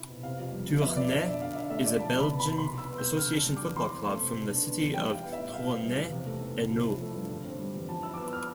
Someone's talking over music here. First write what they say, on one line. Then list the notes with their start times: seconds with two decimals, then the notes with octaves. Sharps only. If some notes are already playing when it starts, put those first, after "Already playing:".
Tournai is a Belgian association football club from the city of Tournai, Hainaut.
Already playing: C3 E4
0.08 B2
0.23 C3 F5
0.39 F2
0.52 G3
0.68 F2
0.81 B3 E5
0.97 B2 D5
1.12 D4 E5
1.26 B2
1.41 D3 F5
1.55 D4 E5
1.70 A3 E5
1.85 F2 D5
1.99 B2 A5
2.15 C2 B5
2.29 B3
2.40 C2 B5
2.58 B2 C6
2.74 E4 E6
2.88 B3
2.98 C2 G6
3.17 D3 F6
3.33 D4
3.46 G3
3.57 D6
3.62 E2
3.76 E3 C6
3.91 C4
4.06 A3
4.20 C3
4.35 B2
4.50 D4
4.65 B3
4.80 E2
4.94 G3 G5
5.09 E4 F5
5.23 B3
5.33 A2 E5
5.53 B2 F5
5.68 C4
5.82 G3
5.97 E2
6.12 C3
6.26 A3
6.41 E3
6.57 C2
6.70 F3
6.86 E4
7.01 A3
7.14 G2
7.30 D3
7.45 C4
7.59 G3
7.74 E2
7.88 F3 A5
8.03 E4 E6
8.14 D6
8.17 B3 E6
8.33 F6